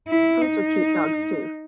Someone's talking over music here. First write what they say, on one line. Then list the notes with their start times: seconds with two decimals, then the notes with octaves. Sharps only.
those are cute dogs too.
0.08 E4
0.41 D#4